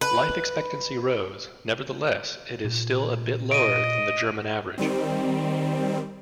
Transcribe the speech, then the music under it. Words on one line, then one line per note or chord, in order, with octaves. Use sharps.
Life expectancy rose, nevertheless it is still a bit lower than the German average.
B4
A#2
D#5 D7 D#7
D#3 G3 C4